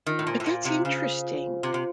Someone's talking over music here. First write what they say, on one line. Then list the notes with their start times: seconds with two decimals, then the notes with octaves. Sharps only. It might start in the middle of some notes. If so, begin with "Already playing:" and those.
but that's interesting.
0.06 D#3 F4
0.19 A2
0.27 A#2 C5
0.40 A2
0.46 A#2 F5
0.65 C3 C5
0.85 C#3 C5
1.04 C5
1.24 F4
1.44 C5
1.63 C3 F4
1.74 C3